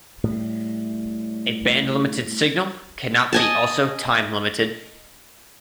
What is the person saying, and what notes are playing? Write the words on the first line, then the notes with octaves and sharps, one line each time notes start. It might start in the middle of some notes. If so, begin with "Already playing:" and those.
A bandlimited signal cannot be also timelimited.
A2 G3
D#5 G#5 A5